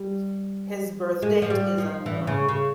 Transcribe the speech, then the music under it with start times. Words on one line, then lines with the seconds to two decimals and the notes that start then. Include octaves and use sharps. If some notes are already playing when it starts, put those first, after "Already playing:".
His birthdate is unknown.
Already playing: G3
1.22 G#3
1.42 F3
1.50 G3
1.78 F3
2.06 E3
2.27 C#3
2.48 C#3